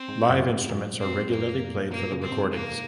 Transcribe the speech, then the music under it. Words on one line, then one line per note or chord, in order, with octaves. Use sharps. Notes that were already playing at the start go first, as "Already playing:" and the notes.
Live instruments are regularly played for the recordings.
Already playing: C4
G#2
F#2 A#2
G#2 C3
F#2 A#2
C4
A#3
F#2 A#2 A#3
A#2 C#3
C4
G#2 C3
A#3